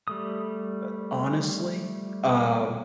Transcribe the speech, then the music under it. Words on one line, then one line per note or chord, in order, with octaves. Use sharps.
Uh, honestly, um,
G3 A3 D#6